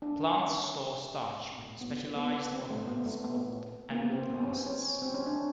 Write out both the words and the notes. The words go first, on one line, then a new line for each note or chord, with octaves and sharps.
Plants store starch within specialized organelles called amyloplasts.
D4
C#4
B3
B3
C4
A3
B3
A3
B3
A#3
B3
C4
B3
C#4
C4
C#4
C4
C#4
D4